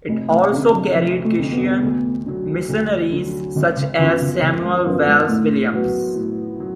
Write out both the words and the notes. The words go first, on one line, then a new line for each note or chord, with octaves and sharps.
It also carried Christian missionaries such as Samuel Wells Williams.
F1 A3
A3
F2 D3
F#3
F1 F3
A3
F2 D3
B3
D2
D3 F#3
D2
D3 F#3
G#1 D3
C#3
F#2 D3 F3 B3 F4
C#3
G#1 C#3
G#3
F#2 F3 F#3 B3 F4
G#3
A2 A3
F#3 B3 F#4
A2
F#3